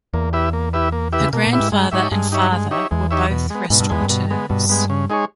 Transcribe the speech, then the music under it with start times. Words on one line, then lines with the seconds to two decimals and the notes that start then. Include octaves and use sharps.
Her grandfather and father were both restaurateurs.
0.13 E2 A#3
0.33 E4 G4 B4 E5
0.53 A#3
0.73 E4 G4 B4 E5
0.92 A#3
1.12 E4 G4 B4 E5
1.20 C#3
1.33 B2 A#3
1.47 A#2
1.53 E4 G4 B4 E5
1.60 G#2
1.72 G2 G#3
1.92 G#2 D#4 G4 C#5 E5
2.12 G2 G#3
2.32 D#4 G4 C#5 E5
2.52 G#3
2.71 D#4 G4 C#5 E5
2.91 E2 G#3
3.11 D#4 G4 C#5 E5
3.31 B2
3.50 G#3 B3
3.70 G#2 B2
3.80 G2
3.90 E2 G#3 B3
4.00 G2
4.10 B2
4.30 G#3 B3
4.50 G2 B2
4.69 G#3 B3
4.90 C#3
5.10 G#3 D#4 G#4 C#5